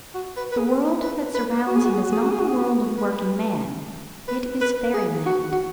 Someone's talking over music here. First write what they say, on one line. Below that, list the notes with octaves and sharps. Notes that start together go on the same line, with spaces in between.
The world that surrounds him is not the world of working man: it is fairy land.
F#4
B4
B4
G#4
B4
B4
F#4
G#4
F#4
G#4
F#4
G#4
F#4
G#4
F#4
G#4
F#4
B4
B4
B4
G#4
F#4
F#4